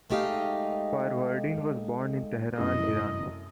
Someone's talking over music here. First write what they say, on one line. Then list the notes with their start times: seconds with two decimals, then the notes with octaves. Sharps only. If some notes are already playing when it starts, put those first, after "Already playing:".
Farvardin was born in Tehran, Iran.
0.10 G#3 A3 D#4 G4 D#5 F5
2.58 C2 F#2 A3 E4 D#5